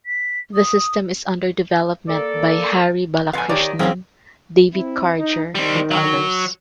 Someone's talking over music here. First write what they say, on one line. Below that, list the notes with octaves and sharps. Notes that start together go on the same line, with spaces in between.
The system is under development by Hari Balakrishnan, David Karger and others.
B6
D#6
A#3 A4 D5
F2 B3 F5 G#5
D#3 G4 C#5 D5
F#3 A#3 C4 C#4 G#4
C4 E4
D#4
D#3 G3 C4
F#3